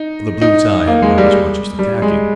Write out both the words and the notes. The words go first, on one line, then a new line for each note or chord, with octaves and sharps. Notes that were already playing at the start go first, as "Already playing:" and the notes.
The blue tie had run as much as the khaki.
Already playing: D#4
D#4
A#3
G#3
G3
G3
G#3